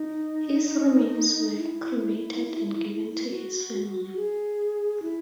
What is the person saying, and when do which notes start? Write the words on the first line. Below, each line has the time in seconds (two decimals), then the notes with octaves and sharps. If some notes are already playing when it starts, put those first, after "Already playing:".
His remains were cremated and given to his family.
Already playing: D#4
1.58 E4
3.30 F#4
4.16 G#4
5.02 E4